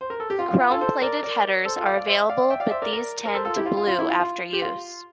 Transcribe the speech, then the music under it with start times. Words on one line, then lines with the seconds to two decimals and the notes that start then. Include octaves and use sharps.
Chrome plated headers are available but these tend to blue after use.
0.01 C5
0.10 A#4
0.20 A4
0.30 G4
0.39 F4
0.49 F4
0.60 F4
0.70 F4 A4
0.81 A4 C5
1.02 A#4 D5
1.23 A#4 D5
1.65 A4 C5
1.76 F4 A4
1.86 D5 F5
1.97 D5 F5
2.08 C5 E5
2.29 D5 F5
2.50 E5 G5
2.60 D5 F5
2.71 C5 E5
2.82 A#4 D5
2.93 A#4 D5
3.26 A#4
3.34 A4 C5
3.45 F4 A4
3.56 E4 G4
3.66 F4
3.77 F4
3.87 F4
3.99 E4
4.09 F4
4.20 F4
4.53 G4
4.62 F4